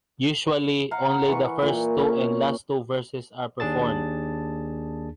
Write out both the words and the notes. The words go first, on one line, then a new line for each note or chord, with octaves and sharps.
Usually, only the first two and last two verses are performed.
F5 F#5 A#5
E3 C#6
A#2
C#4
D#2 D4 G#4 A5 A6